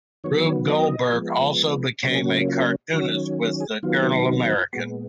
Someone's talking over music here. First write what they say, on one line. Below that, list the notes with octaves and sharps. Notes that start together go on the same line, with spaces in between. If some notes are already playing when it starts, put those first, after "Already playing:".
Rube Goldberg also became a cartoonist with the "Journal-American".
D#3 F#3 B3 C#5
C#5
D#5
F3 G#3 B3
C#3 F#3 A#3 C#4 C#5
G#4
F#4
F4
F4
D#3 F#3 C#4 F#4
G#4
D#3 F#3 B3 F4
D#4
F4
A#2 G#3 B3 F#4